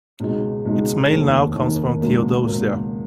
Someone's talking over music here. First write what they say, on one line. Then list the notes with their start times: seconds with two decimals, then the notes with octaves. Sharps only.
Its mail now comes from Theodosia.
0.20 C#2 B2 G#3 D#4
0.65 C#2 B2 G#3 D#4
1.10 F1 D#2 D#3
1.55 F1 D#2 D#3
2.01 C#2 B2 A#3
2.47 C#2 B2 A#3